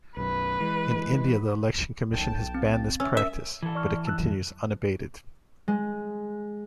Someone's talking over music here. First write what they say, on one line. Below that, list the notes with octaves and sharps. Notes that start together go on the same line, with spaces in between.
In India, the Election Commission has banned this practice, but it continues unabated.
B1 F#2 B4
E3 G#3
B1 G5 A5
C4
C#4 E5 E6
A#4 E5
E3 A4
D5 C#6 F6
A5 E6 F#6
F2 D#3 F#3
G#3